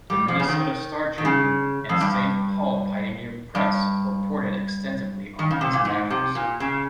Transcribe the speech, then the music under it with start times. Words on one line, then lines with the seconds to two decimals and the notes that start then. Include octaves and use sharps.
The "Minnesota Star Tribune" and "Saint Paul Pioneer Press" reported extensively on these matters.
0.10 G3
0.28 F3
0.40 C#3
0.48 D#3
1.18 D#3
1.25 C#3
1.89 F2
2.01 G2
3.55 G2
5.39 D#3
5.51 C#3
5.61 C3
5.73 A#2
5.85 G#2
6.10 C3
6.35 A#2
6.60 C#3